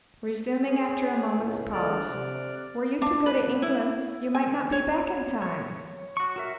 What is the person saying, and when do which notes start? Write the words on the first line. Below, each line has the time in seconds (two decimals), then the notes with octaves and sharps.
Resuming after a moment's pause-- "Were you to go to England, you might not be back in time."
0.66 C#4 G#4
1.38 C#2 A2
1.72 D3 G#3 D5 F6 F#6
2.09 C3
3.02 D4
3.26 B4
3.62 E4
4.35 G#5
4.72 C#5
5.42 C#5
6.17 F#4 C#6
6.36 F#4 A#4 E5